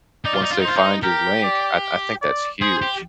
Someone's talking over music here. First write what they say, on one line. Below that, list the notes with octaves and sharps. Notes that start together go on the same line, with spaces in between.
once they find your link, I th I think that's huge.
D#4 D5
F4
D#4
F4
D#4
F4 C5
D#4
G4 A#4
D5
D5
G#4 C5
G4